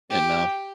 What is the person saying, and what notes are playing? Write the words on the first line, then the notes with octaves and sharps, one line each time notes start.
and, um,
G4